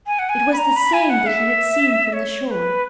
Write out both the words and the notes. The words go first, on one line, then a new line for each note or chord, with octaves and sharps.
It was the same that he had seen from the shore.
G#5
F#5
G#5
B5
A#5
B5
G#5
F#5
E5
C#5
C#5
B4